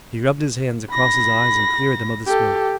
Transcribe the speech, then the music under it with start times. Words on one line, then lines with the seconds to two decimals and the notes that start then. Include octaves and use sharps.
He rubbed his hands across his eyes and cleared them of the smoke.
0.90 B5 A#6
2.27 G4 A4